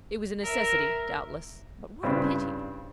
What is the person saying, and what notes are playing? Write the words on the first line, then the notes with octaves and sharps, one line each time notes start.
It was a necessity, doubtless; but what a pity!
A#4 E5
G2 C#3 C4 D4 E4